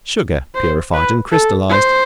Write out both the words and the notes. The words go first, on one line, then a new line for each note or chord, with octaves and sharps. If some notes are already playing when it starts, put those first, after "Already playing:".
Sugar purified and crystallized.
C5
B4
A4
C5